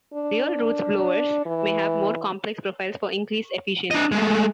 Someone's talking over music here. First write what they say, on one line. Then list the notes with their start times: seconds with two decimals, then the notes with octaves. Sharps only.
Real Roots blowers may have more complex profiles for increased efficiency.
0.14 D4
1.46 E3
3.91 D4 D#5
4.12 G#3 A3